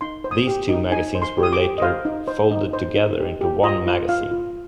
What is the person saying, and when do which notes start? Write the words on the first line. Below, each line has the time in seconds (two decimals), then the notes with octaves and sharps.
These two magazines were later folded together into one magazine.
0.01 D#4 C6
0.24 C5
0.31 D#6
0.47 G4
0.69 D#4
0.92 D#4 G#5
1.15 C5
1.22 C6
1.38 G4
1.43 D#6
1.53 D6
1.60 G4
1.78 D#5
1.82 C5 F5
2.05 D#4
2.28 C5
2.51 D#4
2.73 C5
2.96 D#4
3.19 G4
3.41 G4
3.63 F4 D#5
3.86 F4
4.09 F4 F5
4.31 F4